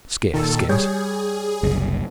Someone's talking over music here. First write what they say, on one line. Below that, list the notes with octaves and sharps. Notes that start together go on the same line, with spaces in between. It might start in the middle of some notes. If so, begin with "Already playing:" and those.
Scarce, scarce!'
A#2 D#3 A4
G3 G#4 C#5 G6
F#1 C2